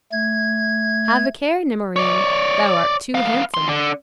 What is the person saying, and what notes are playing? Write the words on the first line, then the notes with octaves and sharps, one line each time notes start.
Have a care, Nemorin, thou art too handsome!
A3 G#6
C#5 D5
B3 F5
F2 C6
D3